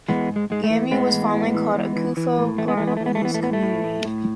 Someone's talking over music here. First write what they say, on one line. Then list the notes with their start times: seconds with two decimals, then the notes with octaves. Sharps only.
Gamey was fondly called Akufo growing up in his community.
0.09 E3 G#3 B3
0.29 G#2
0.36 G#3
0.50 G#2 G#3
0.64 A3
0.70 E3
0.91 A2 G#3 B3
1.13 E3
1.34 A2
1.54 E3
1.75 E3
1.96 E3
2.17 E3
2.38 A2
2.58 E3 A3
2.68 B3
2.77 E3 A3
2.87 B3
2.97 E3 A3
3.06 B3
3.15 A3
3.22 E3 B3
3.34 A3
3.42 A2 B3
3.53 A3
3.63 A2
3.84 A2
4.05 A2